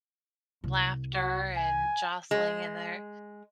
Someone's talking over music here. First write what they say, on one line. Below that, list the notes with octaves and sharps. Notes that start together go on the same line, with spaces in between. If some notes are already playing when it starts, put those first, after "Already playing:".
laughter and jostling in there.
C2
F#4
G#5
G#3